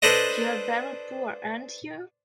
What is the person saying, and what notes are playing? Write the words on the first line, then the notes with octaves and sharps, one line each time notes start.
You are very poor, ain't you?
D4 A4 B4 C5 D5 D#5